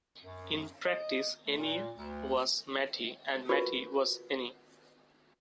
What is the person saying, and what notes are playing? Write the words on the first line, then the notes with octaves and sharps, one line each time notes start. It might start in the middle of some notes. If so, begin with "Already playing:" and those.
In practice, Eni was Mattei and Mattei was Eni.
F#2
D#5
A3
A#2
D2
F4 F#4 A#4 B4 B5 C#6